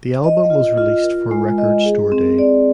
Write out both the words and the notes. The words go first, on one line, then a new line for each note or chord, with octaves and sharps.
The album was released for Record Store Day.
D#5
F4
F4
A#4
G#3
D#5
G#4
C4
D5